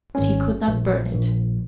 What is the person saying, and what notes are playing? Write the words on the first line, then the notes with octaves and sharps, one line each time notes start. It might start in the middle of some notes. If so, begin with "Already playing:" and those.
But he could not burn it.
G#1 C#4
A#1
A#1